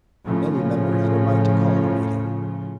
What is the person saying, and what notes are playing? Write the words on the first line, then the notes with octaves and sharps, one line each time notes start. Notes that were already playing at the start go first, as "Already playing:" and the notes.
Any member had a right to call a meeting.
A2 C#3 F3